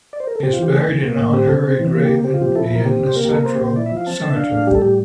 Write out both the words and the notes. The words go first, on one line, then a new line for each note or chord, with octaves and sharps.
He is buried in an honorary grave in Vienna Central Cemetery.
D5
C5
A#4
A4
C4 G4
F4
E3 G4
A3
C3
A#3
A2
C4 G4
C3 A4
C4
E3
A#3
C3 G4
C4 G4
F4
F3 G4
E4 A4
A#2
A#4
C4 G4
C3
C5
A#3 A#4
G4
C3 A4
A#4
A#3 C5
A#2
C5
E4 D5
E5
F3
F5
C4 A5
D3
E5
D4 F5
A2
G3 G4
A4
A2 G4